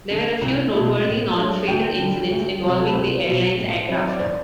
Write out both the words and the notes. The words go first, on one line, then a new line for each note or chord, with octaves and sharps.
There were a few noteworthy non-fatal incidents involving the airline's aircraft.
D3 A3
C2
B2 A3 E4
A2
F#3 A3 D4
D2 G5
D3 G3
D2
C3 F#3
A4
B4
C2 C5
B2 F#3
A2
F#3 C4 E4
D5
C5